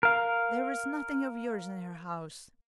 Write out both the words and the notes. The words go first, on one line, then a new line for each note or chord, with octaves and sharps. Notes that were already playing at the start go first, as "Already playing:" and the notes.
There was nothing of yours in her house.
A#4 F5